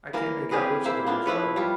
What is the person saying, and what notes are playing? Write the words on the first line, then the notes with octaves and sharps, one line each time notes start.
I can't make out which of them was right.
E3 A#3 A#4
C4 G4 G#4 B4
A#3 E4 C5 E5
A#3 B3 D4 F4
F3 E4 B4 C#5
G3 F4